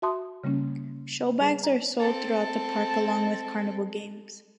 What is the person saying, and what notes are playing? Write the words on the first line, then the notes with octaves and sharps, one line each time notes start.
Show bags are sold throughout the park along with carnival games.
F#4 E5 A5 C6 D#6
C#3 G3 A#3 C#4
G3 G#4
A#5
C4 A4 A5